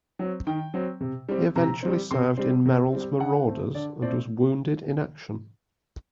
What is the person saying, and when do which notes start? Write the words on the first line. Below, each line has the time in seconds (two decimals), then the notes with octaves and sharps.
He eventually served in Merrill's Marauders and was wounded in action.
0.19 F#3 C4
0.47 D#3 G5
0.74 F#3 C4
1.01 C3
1.29 G3 C4
1.56 C3 A#5
1.83 G3 C4
2.11 C3 C6
2.38 G3 C4
2.65 C3
2.93 G3 C4
3.20 D3 F#5
3.47 A3 C4
3.74 D3 D5
4.02 A3 C4 D5